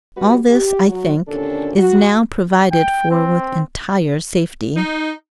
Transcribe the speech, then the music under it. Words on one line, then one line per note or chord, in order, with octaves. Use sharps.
All this, I think, is now provided for with entire safety.
G3 B3 F#4 G4 B4
G4
F#3
D#2 A#2 D3 C#4 D4 A4
F#4
G5
C4
D#4